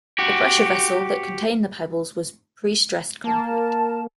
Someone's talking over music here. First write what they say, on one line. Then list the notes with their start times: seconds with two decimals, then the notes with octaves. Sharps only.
The pressure vessel that contained the pebbles was prestressed concrete.
0.19 F#4 G4
3.24 A#3 A#4 A5